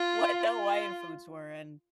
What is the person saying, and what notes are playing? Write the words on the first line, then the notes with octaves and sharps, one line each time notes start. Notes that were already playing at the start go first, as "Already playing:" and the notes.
what the Hawaiian foods were, and,
Already playing: F4
F4